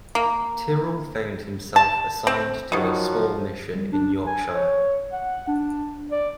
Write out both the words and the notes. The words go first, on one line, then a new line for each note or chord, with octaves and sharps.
Tyrrell found himself assigned to a small mission in Yorkshire.
A#3
A5
C4
B2 D#3 F3 F#3
G3
D4
G#5
C#5
F#5
D4
D5